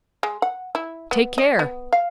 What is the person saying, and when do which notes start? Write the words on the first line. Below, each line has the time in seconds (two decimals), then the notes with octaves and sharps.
Take care!
0.23 G#3
0.42 F#5
0.75 E4
1.11 B3
1.38 D#5
1.59 B3
1.93 F5